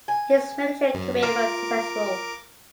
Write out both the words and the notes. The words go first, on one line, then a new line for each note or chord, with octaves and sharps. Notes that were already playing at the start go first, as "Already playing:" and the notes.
His military career was successful.
G#5
F#2
F4 A#4 D6